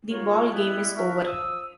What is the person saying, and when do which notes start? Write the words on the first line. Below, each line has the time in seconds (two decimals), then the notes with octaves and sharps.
The ball game is over!
0.10 D#2 F#3 A#3 F4 A#4 C#5
0.52 G3 G#3 B3 E4
0.96 E4 F#4 A#4 E5
1.26 F3 D#6 E6